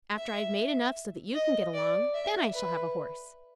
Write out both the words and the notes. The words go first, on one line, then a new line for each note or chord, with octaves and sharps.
After I have made enough so that you can get along, then I shall have a horse.
E5
D#5
D5
E5
B4